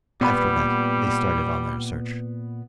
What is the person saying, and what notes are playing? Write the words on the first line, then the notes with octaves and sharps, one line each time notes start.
After that, they started on their search.
A#2 G3 B3 C5 B5